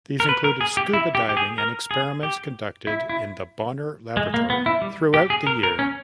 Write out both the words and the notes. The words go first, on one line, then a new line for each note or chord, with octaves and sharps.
These included scuba diving and experiments conducted in the Bonner Laboratory throughout the year.
A#4
B4
A#4
G#4
G4
E4
G4
G4
G#4
A#4
G#4
G4
E4
E4
G#3
A#3
B3
E4
G3
G4
G#4
A#4
A#4
C#4